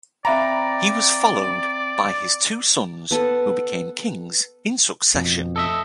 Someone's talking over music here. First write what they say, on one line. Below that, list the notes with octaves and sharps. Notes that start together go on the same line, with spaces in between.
He was followed by his two sons who became kings in succession.
C4 D5 E5 F5 G5 A#5 B5
B3 A4
F2 B2
A4 D#5 E5